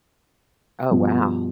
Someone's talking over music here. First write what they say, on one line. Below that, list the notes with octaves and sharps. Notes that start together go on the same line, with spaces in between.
Oh, wow.
G2 B2 F3